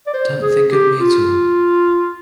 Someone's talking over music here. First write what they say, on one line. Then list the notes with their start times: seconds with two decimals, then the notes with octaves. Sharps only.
Don't think of me at all.
0.07 D5
0.14 C5
0.42 G#4
0.71 G4
1.00 F4